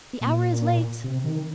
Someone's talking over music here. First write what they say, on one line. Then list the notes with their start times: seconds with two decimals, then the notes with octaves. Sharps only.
"The hour is late!"
0.21 A#2
1.04 C3
1.24 D#3